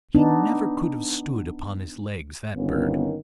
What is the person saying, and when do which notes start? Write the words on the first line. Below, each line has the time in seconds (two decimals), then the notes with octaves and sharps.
He never could have stood upon his legs, that bird.
0.15 B3 D4 D#4
2.55 G1 D#3 A#3 B3 C#4